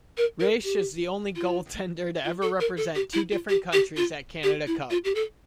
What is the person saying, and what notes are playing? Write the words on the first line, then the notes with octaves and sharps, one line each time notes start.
Resch is the only goaltender to ever represent two different countries at Canada Cup.
A#4
A#4
G4
F4
F4
A4
A#4
A4
G4
E4
F4
G4
G4
F4
G4
E4
F4
G4
A4